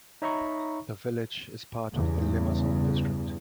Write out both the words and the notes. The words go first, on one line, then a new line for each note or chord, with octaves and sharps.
The village is part of the Limassol District.
D#4 C#5 E5 A#5 B5 C#6
E2 G2 C#3